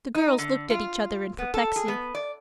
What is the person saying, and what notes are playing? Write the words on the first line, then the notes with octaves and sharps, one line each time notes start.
The girls looked at each other in perplexity.
D#4
D3
F4
B3
A4
G#4
B3
D5